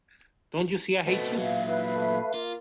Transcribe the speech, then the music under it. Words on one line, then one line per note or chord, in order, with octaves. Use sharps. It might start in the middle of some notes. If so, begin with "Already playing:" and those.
Don't you see I hate you.
B2 A3 C4
A#2 F#3 E5 F5
E4 B4 F5
A3
A#3 F4